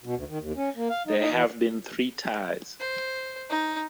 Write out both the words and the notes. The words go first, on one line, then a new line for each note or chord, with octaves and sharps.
There have been three ties.
B2
D2
D#3
D#2
C#4
A#3
F5
D#4
D#4
E3
C5
D#4